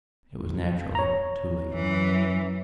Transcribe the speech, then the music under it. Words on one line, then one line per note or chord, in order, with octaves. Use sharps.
It was naturally too late.
C#5 A#5
F#2 E3